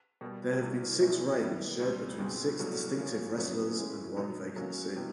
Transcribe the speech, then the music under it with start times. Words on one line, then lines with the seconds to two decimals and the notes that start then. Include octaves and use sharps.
There have been six reigns shared between six distinctive wrestlers and one vacancy.
0.21 B2 G3 A#3
0.61 C2 C3 E3
1.01 E2 B2 G#3 B3 E4
1.41 D#3 G3 B3 E4 G4
1.80 C#2 B2 G3 C4
2.19 C#2 B2 G#3 C4
2.59 C2 B2 F#3 A3
2.98 C#3 F3 A#3 C#4
3.37 F#2 C#3 F#3 B3
3.76 C#3 E3 G#3
4.16 B2 F#3 B3 D#4
4.56 C#3 F#3 A#3 C#4 F#4
4.96 C3 E3 G3 B3